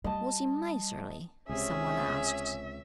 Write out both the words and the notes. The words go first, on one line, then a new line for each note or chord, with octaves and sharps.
"Was he miserly?" some one asked.
G3 D#5 A5
C#2 C3 C#4 G#4 E5